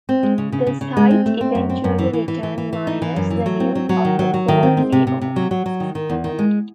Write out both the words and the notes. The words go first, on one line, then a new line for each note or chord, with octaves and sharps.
The site eventually returned minus the news of the Ford layoffs.
C4
G#3
C#3
C#3
C#3
C#3
G#3
C4
A3
C4
F#2
C4
F#2
E3
E3
E3
E3
E3
E3
D#4
E3
F#2
E3
F#3
C4
F#3
F#3
D#3
F#3
F#3
D#3
C4
C4
C3
C3
C3
F#3
F#3
F#3
D#3
D#3
E2
D#3
G#3